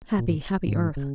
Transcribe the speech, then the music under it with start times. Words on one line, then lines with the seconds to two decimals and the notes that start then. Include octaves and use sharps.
Happy, happy earth!
0.18 A#2
0.28 G#2
0.68 G#2
0.97 C#3